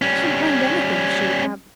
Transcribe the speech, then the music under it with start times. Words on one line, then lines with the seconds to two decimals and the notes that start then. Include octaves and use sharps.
I shouldn't mind anything if she would have me.
0.02 G3 C#4